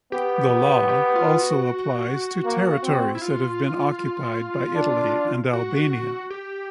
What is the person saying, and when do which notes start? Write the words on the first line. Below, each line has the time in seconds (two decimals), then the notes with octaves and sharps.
The law also applies to territories that have been occupied by Italy and Albania.
0.12 B3 G4
0.89 G4
1.16 F4
1.41 F#4
2.44 A#3
2.83 C4
3.15 E4
3.22 F4
4.75 D4
5.53 F#4
6.30 G4